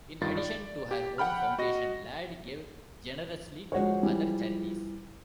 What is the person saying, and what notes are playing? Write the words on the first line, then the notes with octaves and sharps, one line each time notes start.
In addition to her own foundation, Ladd gave generously to other charities.
G2 D#3 F4 A6
D5
G4
F#5 G5 B5 F6
F#4 D#5 A#6
F3 G#3 F#4 C#5
E3 G3